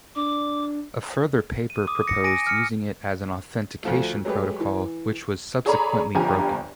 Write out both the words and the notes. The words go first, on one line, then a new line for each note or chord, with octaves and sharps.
A further paper proposed using it as an authentication protocol, which was subsequently broken.
D4 D6
D#7
D6 D#6
A#6 C#7
G#5 A#6 D7 D#7
F6 C#7
D2 F3 A3
F#3 G#3 A3 G4 B4
E3
G#4 A4 C#5 D5 A#5 B5
G1 G2 F3 G4 G#5 A#5